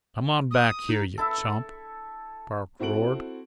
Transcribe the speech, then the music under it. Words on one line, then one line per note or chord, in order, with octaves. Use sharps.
"Come on back here, yuh chump!" Park roared.
D#6
D#4
E4 A4
C4 E4 F#4 A4 D7 F#7